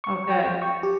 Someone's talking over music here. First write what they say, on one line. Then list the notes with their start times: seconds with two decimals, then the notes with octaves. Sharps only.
Oh, good.
0.04 C#6
0.30 G5
0.62 C#6
0.83 G4